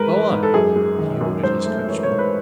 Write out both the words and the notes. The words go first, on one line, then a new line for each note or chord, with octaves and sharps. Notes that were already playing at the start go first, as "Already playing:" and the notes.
"Go on!" he ordered his coachman.
Already playing: G#2 G#3 A#4 B4
E3
G#2
A4
F#2 G#4
G#3
D#3
F#2
G#2 C5
A3
E3 C#5
C#5
G#2
B4